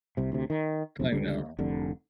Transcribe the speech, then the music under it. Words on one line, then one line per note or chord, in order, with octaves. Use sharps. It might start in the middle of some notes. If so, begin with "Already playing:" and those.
I know.
C2 C3
D2 C3
D#3
F1 B1
C#2 D3 G3
F1 C2 D3